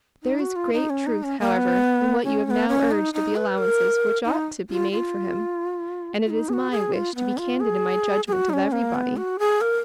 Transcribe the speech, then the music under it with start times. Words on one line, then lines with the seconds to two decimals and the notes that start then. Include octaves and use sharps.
There is great truth, however, in what you have now urged of the allowances which ought to be made for him, and it is my wish to be candid in my judgment of every body.
0.23 D#4
0.40 F#4
0.56 F4
0.73 D#4
0.90 C#4
1.06 D#4
1.23 C#4
1.40 A#3
1.56 B3
2.24 C#4
2.46 C#4
2.50 B3
2.68 C#4
2.91 D#4
3.14 D#4
3.36 B4
3.58 A#4
4.25 D#4
4.70 F4
4.92 F4
6.26 F4
6.30 D#4
6.49 G#4
6.53 F#4
6.71 G#4
6.93 F4
7.15 B3
7.38 F4
7.60 G#4
8.28 G#4
8.33 F#4
8.49 D#4
8.53 C#4
8.72 A#3
8.95 B3
9.17 F#4
9.39 G#4
9.61 A#4